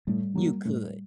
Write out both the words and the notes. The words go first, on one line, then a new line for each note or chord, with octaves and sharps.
You could.
A2 G3
F#3 A#3
A2